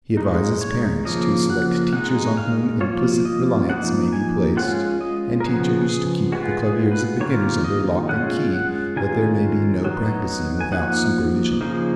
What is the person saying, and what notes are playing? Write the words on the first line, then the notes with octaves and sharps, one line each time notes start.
He advises parents to select teachers on whom implicit reliance may be placed, and teachers to keep the claviers of beginners under lock and key that there may be no practicing without supervision.
G#3 D#4
C#5
C#3 F3 A#3 D#5
F#5
G#3 D#4 F#5
F5
F3 A#3 F4 C#5
D#5
F3 A#3 D#4 F#5
G#5
G#3 C#4 F4 F#5
D#5
A#4
C#3 F3 B3 G#4
G#4
G#3 B3 F4 F#4
G#4
B4
D#3 A#3 F4 C#5
D#5
G#3 C#4 F4 F#5
F#5
D#3 G#3 C#4 F4 G#5
F#3 B3 D#4
G#5
F3 A#3 D#4 F#5
C#3 F3 A#3 D#4